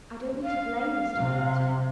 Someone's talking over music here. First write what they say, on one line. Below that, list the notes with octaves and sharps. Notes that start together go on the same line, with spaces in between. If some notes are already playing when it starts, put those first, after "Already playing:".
I don't mean to blame Mr. Thornton.
F5
C3